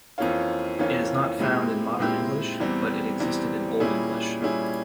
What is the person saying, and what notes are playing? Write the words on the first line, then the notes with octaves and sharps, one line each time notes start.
It is not found in Modern English but it existed in Old English.
F2 E3 A#3 C#4 F4
F2 E3 A#3 C#4 F4
A#2 G#3 C4 E4 G4
A#2 G#3 C4 E4 G4
E2 E3 G3 C4
E2 E3 G3 C4
A#2 G3 C#4 E4 G#4
A#2 G3 C#4 E4 G#4